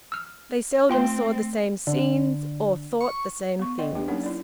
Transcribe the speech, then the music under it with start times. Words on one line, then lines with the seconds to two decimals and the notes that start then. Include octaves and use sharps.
They seldom saw the same scenes or thought the same things.
0.12 E6 F6
0.89 A3 C4 F4 G5 C6
1.87 D3
3.01 C#6
3.59 B3 C#6
3.79 D5 D#5 F#5 G5 C6
3.95 D4 G4 G5
4.08 F#3 A#3 C#4 D#4 A#4 F#5
4.23 E4 D5